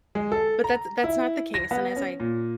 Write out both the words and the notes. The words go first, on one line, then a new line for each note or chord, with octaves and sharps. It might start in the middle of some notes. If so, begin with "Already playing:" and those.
Bbut that that's not the case, and as I
G#3
A4
A#5
E4
A#6
B3
C#4
A#2